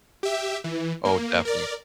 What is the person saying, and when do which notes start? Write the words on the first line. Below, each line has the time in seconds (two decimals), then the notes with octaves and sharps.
Oh, definitely.
0.23 G4 E5
0.64 E3
1.05 A#3
1.45 A#4 D5